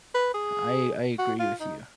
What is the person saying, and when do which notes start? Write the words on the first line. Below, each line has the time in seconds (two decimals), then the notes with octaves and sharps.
I I I agree with you.
0.15 B4
0.34 G#4
1.19 F#4
1.40 F4
1.60 D#4